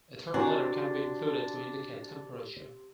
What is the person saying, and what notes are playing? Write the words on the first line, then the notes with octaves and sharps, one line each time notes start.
A third letter can be included to indicate temperature.
C3 D4 F#4 A#4 C#5 G#5